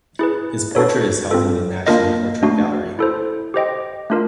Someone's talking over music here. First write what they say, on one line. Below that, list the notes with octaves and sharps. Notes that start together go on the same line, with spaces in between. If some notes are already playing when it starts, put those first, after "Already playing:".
His portrait is held in the National Portrait Gallery.
E4 G#4 B4
D4 F#4 A4 C#5
C4 F4 A4
A#3 D4 F4 A#4 D#5
A3 D4 F#4
E4 A4 C5
G4 C5 D#5 G5
A3 D4 F4 A#4